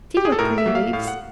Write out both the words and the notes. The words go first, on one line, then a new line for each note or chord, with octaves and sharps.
"See what pretty leaves."
G4
G#4
A4
A2 A#4
E5
F#3 A#3
F5
A2 F5
F#5